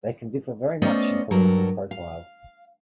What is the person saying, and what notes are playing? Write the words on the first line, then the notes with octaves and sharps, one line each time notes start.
They can differ very much in political profile.
A3 B3 C#4 C5 D5 D#5
G2 F#3 A4 A#4
F5